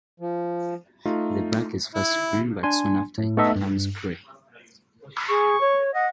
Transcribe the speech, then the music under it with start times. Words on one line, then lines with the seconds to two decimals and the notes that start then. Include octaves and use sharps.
The bark is first green, but soon after it becomes gray.
0.20 F3
1.05 A3 D#4 F4
1.95 E4
2.63 D4 G#5 C6
3.18 A2
3.37 A3 B3 D#4 A4 D#5 E5
3.56 G2
5.28 G#4 C#6
5.60 C#5
5.94 D#5 F#5